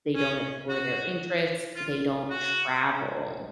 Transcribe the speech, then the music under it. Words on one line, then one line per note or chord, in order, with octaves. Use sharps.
They don't explore their interests. They don't travel,
C#4
F#4
F4
F#4